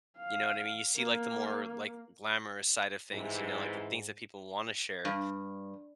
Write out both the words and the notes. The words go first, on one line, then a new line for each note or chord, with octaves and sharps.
you know what I mean? You see, like, the more, like, glamorous side of things, you know, like, the things that people wanna share,
F5
A#3
G#2 C3 E3
G2